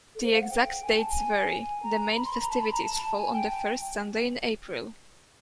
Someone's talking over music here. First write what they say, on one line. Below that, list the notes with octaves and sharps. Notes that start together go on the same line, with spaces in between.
The exact dates vary: the main festivities fall on the first Sunday in April.
A4
C5
F5
F#5
G5
G#5
A5
G#5
G#5
A#5
A#5
B5
C6
B5
A#5
A5
B5
A#5
A5
G#5
G5
G5